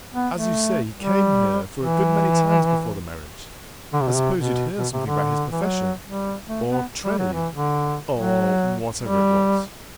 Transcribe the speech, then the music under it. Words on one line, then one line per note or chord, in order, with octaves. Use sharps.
"As you say he came here for a good many times before the marriage, I suppose you'd hear something about his profession, or trade, or whatever it was?"
B3
A3
G3
E3
D3
C3
B2
C3
B2
B2
C3
D3
E3
F#3
G3
A3
B3
G3
F#3
E3
D3
F#3
G3